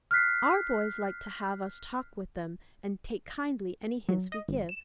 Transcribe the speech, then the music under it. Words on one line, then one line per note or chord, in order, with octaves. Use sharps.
'Our boys like to have us talk with them, and take kindly any hints we give.
F6 F#6 B6 C7
F#3
D#5
G#1
E7